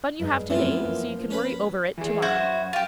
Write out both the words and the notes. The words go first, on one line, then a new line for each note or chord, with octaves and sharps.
Fun you have to-day so you can worry over it to-morrow.
G2 G#3 G#4
F#2 E3 F3 A3 B3 C4 F4
F3 A#3
C#4 B4 B5
E3 G#4
F#2 E4 F#4 C5
F4 G4